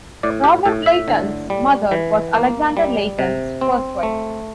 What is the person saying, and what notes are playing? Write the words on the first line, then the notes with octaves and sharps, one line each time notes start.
Robert Leighton's mother was Alexander Leighton's first wife.
A2 D5
G4
A2 A4
E5
D3
G3
E3
A#3
G3
C3
C4
A3